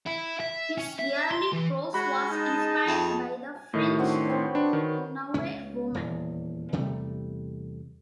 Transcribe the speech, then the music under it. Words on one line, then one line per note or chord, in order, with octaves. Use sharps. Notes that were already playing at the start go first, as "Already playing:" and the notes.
His early prose was inspired by the French nouveau roman.
E4
E5
C#4
E5
C6
E3
G#3 F#4 B5
D#4 G#4 D#5 A5
F2
G#5
A2 D#3
C4 D4 F#4
C4 B4 C#5
D4 B4
D#3
C#2 C#4
D#1 E2
E2 C3 G3 A3